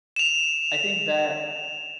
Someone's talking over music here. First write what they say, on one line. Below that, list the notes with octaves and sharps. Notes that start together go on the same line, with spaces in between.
I think that,
E7 F7